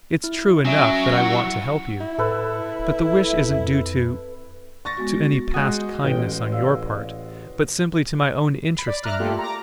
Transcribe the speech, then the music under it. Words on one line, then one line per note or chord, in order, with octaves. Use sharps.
It's true enough that I want to help you; but the wish isn't due to...to any past kindness on your part, but simply to my own interest in you.
E4
F#3 C#4 E5 D7
E4 F#5 C#7
E4
A2 A4 B4
D1
F2
C#6 A6 A#6
G#3 B3 F#4
G#3 F#4 G#5 D#6 F#6 G6
A1 G5
D5 F5 E6
B5 C7
D5
E5 A#5 D6 F6 F#6
A3 A#3 F4 G4 A4
A#5 D6